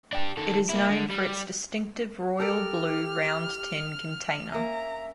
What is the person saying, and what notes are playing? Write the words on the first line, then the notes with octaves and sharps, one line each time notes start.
It is known for its distinctive royal blue round tin container.
D4 G4
D#3 A4
A#3 E4
D3
G3
G4 A4 A#4 D5 F6
A#3 C#4 E5 A#5